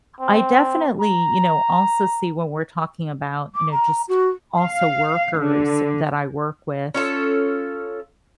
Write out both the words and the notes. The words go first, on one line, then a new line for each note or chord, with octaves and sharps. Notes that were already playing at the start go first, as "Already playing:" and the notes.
I definitely, you know, also see when we're talking about, you know, just also workers that I work with,
C4
A#5
D6
A#5
F#4
F5
D3
C#4 F4 A4